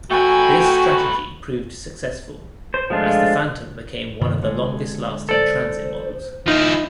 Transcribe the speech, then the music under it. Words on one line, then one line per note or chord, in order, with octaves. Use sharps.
This strategy proved successful, as the Phantom became one of the longest-lasting transit models.
A3 F#4 B4 G5 G#5
C5
F3 G#3 A3 D4 F4
G2 C3 D#3
D3 G#3
A4 C5 D5
F3 D#4 E4